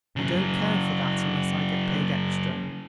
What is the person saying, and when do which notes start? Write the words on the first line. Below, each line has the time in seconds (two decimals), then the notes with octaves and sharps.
I don't care for that, unless I get paid extra.
0.16 C#3 F#3